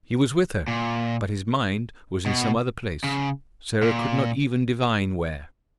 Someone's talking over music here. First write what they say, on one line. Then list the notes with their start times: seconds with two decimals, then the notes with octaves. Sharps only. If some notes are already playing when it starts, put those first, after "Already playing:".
He was with her, but his mind was in some other place, Sarah could not even divine where.
0.68 A#2
2.26 B2
3.04 C#3
3.82 A#2